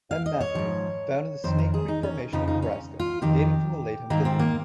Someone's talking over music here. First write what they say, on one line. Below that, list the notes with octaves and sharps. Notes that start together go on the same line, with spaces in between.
"M. matthewi"-found in the Snake Creek Formation of Nebraska, dating from the late Hemphillian.
F5
D#5
C#5
G#2 F3
F2 D#3 C5
A#4
G#4
D#4
C#4
F2 C#3 F3 D#4
D#4
C#4
F4
F2 D#3 G4
G#2 D#3 A#3
C4
A#3